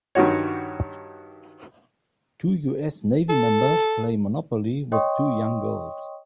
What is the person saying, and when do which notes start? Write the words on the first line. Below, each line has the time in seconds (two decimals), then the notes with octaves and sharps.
Two US Navy members play monopoly with two young girls.
0.15 G2 D#3 G3 F#4 C#5
3.29 A4
4.92 C#5 D#5 G5 C6 C#6 D#6